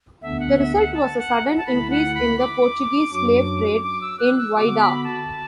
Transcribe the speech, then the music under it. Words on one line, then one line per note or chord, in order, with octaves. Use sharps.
The result was a sudden increase in the Portuguese slave trade in Whydah.
D2 D3 B3 D4 E5
F#5
E5
F#5
A5
F#5
A5
D2 D3 A3 E4 B5
F#5
B5
D6
F#2 F#3 D4 F#4
D6
E6
F#6
E6
D3 B3 F#4 D6
B5
A5